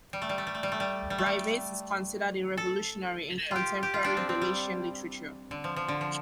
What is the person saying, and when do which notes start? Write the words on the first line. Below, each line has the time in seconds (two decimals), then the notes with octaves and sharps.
Rivas is considered a revolutionary in contemporary Galician literature.
0.13 G3
0.22 A3
0.29 G3
0.38 A3
0.47 G3
0.55 A3
0.63 G3
0.72 A3
0.80 G3
1.10 G3
1.18 A3
1.26 G3
2.57 A4
3.51 F4 G4
3.83 G4
3.94 F4
4.04 D4
4.17 C4
4.29 C4
4.41 G3
5.51 D3
5.64 F3
5.76 F3
5.88 D3
6.01 F3